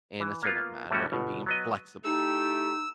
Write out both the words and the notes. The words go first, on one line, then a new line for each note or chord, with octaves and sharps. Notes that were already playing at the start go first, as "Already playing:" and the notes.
in a certain matter, and being flexible;
E3
A#3 B3 F4
A2 E3 G3 A3 C#4 F#4
G1 B2
F#3 B3 D#5
A3 D#4 E4 G4 E6